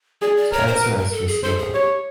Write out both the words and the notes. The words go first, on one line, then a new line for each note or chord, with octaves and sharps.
Spencer as receiver.
G#4 D5
D5
A#4 C#5
C5
B4
A#4
A4
G#4
A4 C5
G#4
G4 C#5